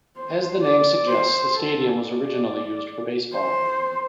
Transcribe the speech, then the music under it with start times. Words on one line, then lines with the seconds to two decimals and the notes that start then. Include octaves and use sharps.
As the name suggests, the stadium was originally used for baseball.
0.17 C5
0.62 D5
1.08 C5
1.54 A4
1.98 D5
3.34 C5